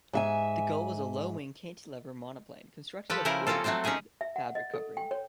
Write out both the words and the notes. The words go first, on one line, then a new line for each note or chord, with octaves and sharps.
The Gull was a low-wing cantilever monoplane, constructed of wood with fabric covering.
G#2 E5 G#5
F3 G4 A4 B4
C#3 F3 E4 A#4 C5
A#3 C4 C#4 F4 A4
F#3 A3 C4 A4 C5
C#4 D#4 G4 G#4 C5
E5
F#5
D#5
A4
G5
C#5